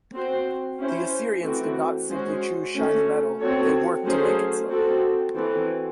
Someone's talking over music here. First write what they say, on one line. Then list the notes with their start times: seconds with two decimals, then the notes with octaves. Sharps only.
The Assyrians did not simply choose shiny metal; they worked to make it so.
0.13 C4 F#4 C5
0.79 C#4 E4 C5
1.44 E3 A3 C4 F#4
2.09 G#3 C#4 F#4 C5
2.74 A3 C#4 F#4
3.39 C4 F#4 A4 C#5
4.04 F#3 A3 C#4 G#4 C5
4.69 C4 F#4 A4
5.35 E3 C4 F#4 A4